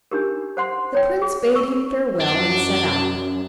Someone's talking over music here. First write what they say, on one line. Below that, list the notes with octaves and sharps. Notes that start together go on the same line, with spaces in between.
The prince bade him farewell and set out.
D4 D#4 G4 A#4
C5 F#5 C6
C#5 G5
G#4
C#6 E6
F#2 F#3 D4